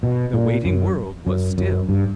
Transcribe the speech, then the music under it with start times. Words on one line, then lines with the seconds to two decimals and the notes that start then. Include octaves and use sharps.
"The waiting world was still."
0.03 B2
0.34 A#2
0.65 F#2
1.27 F#2
1.58 F#2
1.89 G2